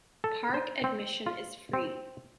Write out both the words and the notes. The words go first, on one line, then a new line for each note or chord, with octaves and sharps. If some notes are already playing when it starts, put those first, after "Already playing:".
Park admission is free.
A4
C5
C4
F4
C4